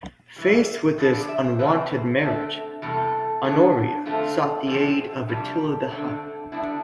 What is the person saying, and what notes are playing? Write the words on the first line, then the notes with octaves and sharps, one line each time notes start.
Faced with this unwanted marriage, Honoria sought the aid of Attila the Hun.
G2 E3 G3
D3 F3 B3 D4 C5
D5
E5
C5
E2 C3 F3 C4 B4
D3 A3 C4
E2 C3 G3 A4
G2 E3 B3 D4
F2 D3 A3 C4 F4
E2 D3 F3 C4
F2 C3 G3 D4 G4
G2 D3 A3 C4
D3 G3 B3 D4 E4